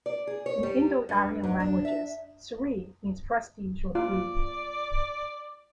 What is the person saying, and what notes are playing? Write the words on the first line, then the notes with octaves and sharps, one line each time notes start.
In Indo-Aryan languages, Sri means prestige or beauty.
D5
G#4
C#5
G3
G2
G#2
D4
E5
F4 D5